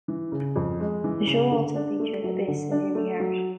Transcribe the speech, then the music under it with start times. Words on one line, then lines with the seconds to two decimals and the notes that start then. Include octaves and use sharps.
The show also featured Abyss and Jimmy Hart.
0.08 E3
0.32 C#3
0.56 F2
0.80 G#3
1.04 E3
1.27 C#3
1.51 D3
1.76 D4
1.99 A3
2.24 F#3
2.48 D3
2.71 D4
2.95 A3
3.20 F#3